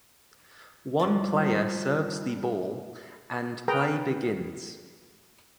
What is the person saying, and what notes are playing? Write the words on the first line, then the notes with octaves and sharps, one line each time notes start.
One player serves the ball, and play begins.
G2 F3 D5
G#4 A#4 B4 G5 A#5